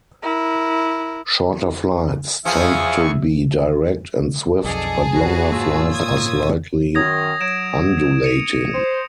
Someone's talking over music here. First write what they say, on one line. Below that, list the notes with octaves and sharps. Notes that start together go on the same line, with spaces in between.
Shorter flights tend to be direct and swift, but longer flights are slightly undulating.
E4 A#4
E2 F3 C4 G#4 E5 F5 G#5 C#6
B1 F2 G#4 A4 D5 D#5 A5
C#4 F#4 B4
G#2 A#3 F4 C#5 E6
A#2 D#6 G#6
F#2 D#3 D#6 G#6 A#6
F#3 G#6 D7 E7
C#7 D#7 F7
C5